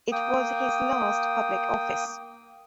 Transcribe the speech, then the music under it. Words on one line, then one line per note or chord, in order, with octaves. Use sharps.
It was his last public office.
A#3 G5 D#6